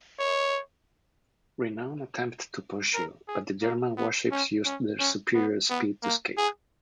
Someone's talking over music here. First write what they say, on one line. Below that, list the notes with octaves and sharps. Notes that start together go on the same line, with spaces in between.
"Renown" attempted to pursue, but the German warships used their superior speed to escape.
C#5
A#4
G#4
A#3
B3
C#4
C#4
C#4
B3
B3
A#3
G#4